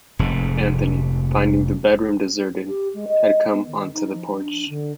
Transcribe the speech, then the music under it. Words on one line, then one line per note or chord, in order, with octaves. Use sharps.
Anthony, finding the bedroom deserted, had come onto the porch.
F1 G#2
G4
G#3
D#5
B3
D#3
D#4
F3
D4
D3